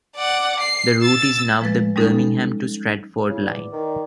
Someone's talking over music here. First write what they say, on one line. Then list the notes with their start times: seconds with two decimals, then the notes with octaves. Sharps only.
The route is now the Birmingham to Stratford Line.
0.16 D5 F#5
0.60 C7
1.01 E6 A6
1.61 F3 G#3 B4 A6
1.96 G3 G#3 C#4 D#4 A4
3.29 C#3 E4
3.42 E2 D5
3.72 D#3